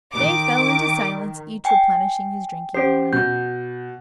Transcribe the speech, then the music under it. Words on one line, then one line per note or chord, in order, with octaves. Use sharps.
They fell into silence, each replenishing his drinking-horn.
D#3 D6
G5 G#5
C#4 G4 C5 C7
B2 G6